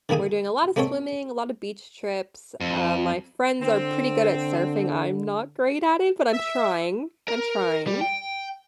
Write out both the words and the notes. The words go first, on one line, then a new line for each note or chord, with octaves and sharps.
we're doing a lotta swimming, a lotta beach trips, um, my friends are pretty good at surfing, I'm not great at it, but I'm trying. I'm trying.
D3 D#3 A#3 G#4 G#5
G#3 A#3 C4 A4 C#5
F2
D3 C4
E5
A#4
G3
G5